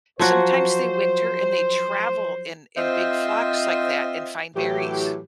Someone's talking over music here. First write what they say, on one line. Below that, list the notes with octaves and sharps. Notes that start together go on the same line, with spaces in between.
Sometimes they winter and they travel in in big flocks like that and find berries.
F3 F#3 F#4 C5
C4 F4 C5 D#5 E5
A2 E3 F#3 G4